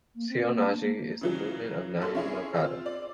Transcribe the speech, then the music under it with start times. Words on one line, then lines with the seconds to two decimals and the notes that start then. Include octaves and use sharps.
Seoi-Nage is a movement of Nage-no-kata.
0.15 A#3
0.28 C4
0.48 A#3
0.65 D4
0.79 A#3
1.21 C#3 E3 F#3
2.02 A#1 A4 C6
2.15 C#4 E4 G#4
2.54 C4 F4 E6
2.86 D5